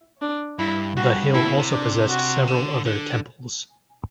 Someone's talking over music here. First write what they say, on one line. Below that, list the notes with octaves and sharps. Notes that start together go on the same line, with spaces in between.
The hill also possessed several other temples.
D4
G2 E4
G2 F#4
A2 E4
B2
C3
D4
F#4
D3
D3